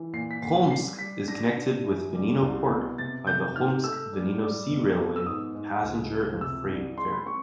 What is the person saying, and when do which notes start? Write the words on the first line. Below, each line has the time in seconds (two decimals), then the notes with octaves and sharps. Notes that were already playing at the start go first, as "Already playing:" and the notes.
Kholmsk is connected with Vanino port by the Kholmsk-Vanino sea railway passenger-and-freight ferry.
Already playing: E3
0.13 A#2 C7
0.31 B6
0.42 A#2 C7
0.70 G3 C7
0.99 G3 B6
1.28 D4 A#6
1.56 D4
1.85 F#2
2.13 G3
2.42 C2
2.70 B2
2.98 C3 A6
3.27 C3 G6
3.56 G#2 F6
3.84 A3 E6
4.13 G3
4.41 G3
4.70 B2
4.98 B3
5.16 E6
5.26 G#2 D#6
5.55 G#2
5.83 C#2
6.12 C#2
6.41 C3 E6
6.69 C2
6.97 G#3 C6
7.11 B5
7.19 C6
7.26 C4 C#6